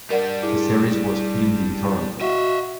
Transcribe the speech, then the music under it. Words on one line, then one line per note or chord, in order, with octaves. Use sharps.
The series was filmed in Toronto.
G3 D4 A#4 D5 F#5
E4 G#4 D6
F#4 D#5 E5